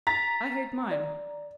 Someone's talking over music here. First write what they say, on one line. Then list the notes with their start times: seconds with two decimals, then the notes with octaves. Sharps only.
I hate mine.'
0.07 A#5 A6 B6
0.91 D5